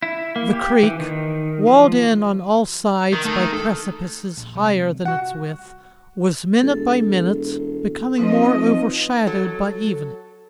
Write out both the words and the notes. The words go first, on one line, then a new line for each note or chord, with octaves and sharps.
The creek, walled in on all sides by precipices higher than its width, was minute by minute becoming more overshadowed by evening.
E4
A#3
G4
E3
D#3
F3
D#3
A3 A5
A4
A#1
C3 G3 A3
F#4 F#5
E1 A4
F3 C4 D#4 B4 D#5
F#3 A4